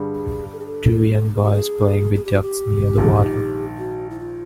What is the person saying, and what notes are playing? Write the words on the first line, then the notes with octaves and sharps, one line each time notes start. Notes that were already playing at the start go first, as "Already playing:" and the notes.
Two young boys playing with ducks near the water.
Already playing: G2 D3 G3 G#4
A4
G#4
A4
G#4
G4
G#4
G#4
G4
F#4
G4
A#1 G#2 D#3
F#4
E4
F4